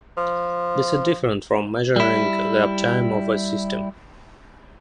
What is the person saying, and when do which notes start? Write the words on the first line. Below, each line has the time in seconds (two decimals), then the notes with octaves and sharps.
This is different from measuring the uptime of a system.
0.17 F3
1.96 G3 E4